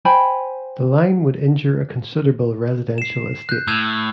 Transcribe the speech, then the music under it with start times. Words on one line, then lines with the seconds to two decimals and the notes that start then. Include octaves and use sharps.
The line would injure a considerable residential estate.
0.05 C5 G5 G#5 B5
2.98 C7 E7
3.49 F#6 G6
3.68 A2 E6 G6 G#6